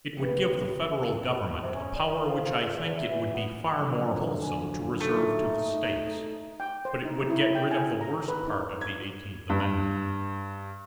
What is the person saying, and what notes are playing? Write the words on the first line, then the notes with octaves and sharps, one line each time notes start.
It would give the Federal Government a power which I think it would be far more wholesome to reserve to the States; but it would get rid of the worst part of the Eighteenth Amendment.
F1 C2 A#3 G#4 B4 C#7
C3
C#4
G3
A#2
F3
F3
E2
E2
E4
E3
B3
D3 F3 F#3
G#5
A3 D#4
G5
C5
D#4
E4
G5
G#5
A#5
B4
D#4
G#6
G2